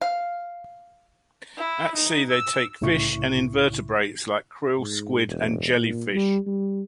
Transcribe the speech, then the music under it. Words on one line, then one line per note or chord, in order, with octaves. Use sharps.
At sea, they take fish and invertebrates like krill, squid and jellyfish.
F5
E4
D#4
E6
C2 A2 C#3 E4 C#6
G#2
E1
A#2
G3
G3